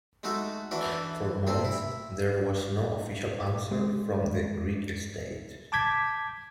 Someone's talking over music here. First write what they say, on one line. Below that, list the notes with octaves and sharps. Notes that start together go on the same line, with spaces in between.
For months there was no official answer from the Greek state.
G#3 A3 D#4 F#4 A4
E3 D4 E4 F#4
D2 A#2 C4 A4
E4
G#3
A5 D6 G6 G#6 B6